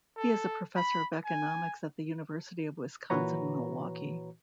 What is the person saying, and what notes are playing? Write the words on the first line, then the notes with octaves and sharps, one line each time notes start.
He is a professor of economics at the University of Wisconsin-Milwaukee.
A4
B5
G#5
A#2 E3 F#4 B4 C#5 A#5